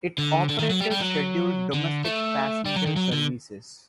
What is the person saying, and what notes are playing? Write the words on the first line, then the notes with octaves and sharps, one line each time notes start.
It operated scheduled domestic passenger services.
D3
D3
D#3
F#3
G3
G3
F#3
D3
A3
G3
F#3
D#3
F#3
D3